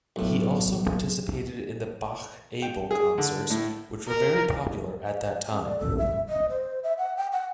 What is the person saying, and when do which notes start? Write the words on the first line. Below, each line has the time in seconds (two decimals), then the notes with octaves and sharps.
He also participated in the Bach-Abel Concerts which were very popular at that time.
0.16 B1 A2
2.62 G5
2.91 G#4
3.18 D3
3.50 A2
4.08 A#4
5.50 C#4
5.65 D5
5.79 A4
5.98 E5
6.29 D#5
6.49 C5
6.83 E5
6.98 F#5
7.17 G5
7.32 F#5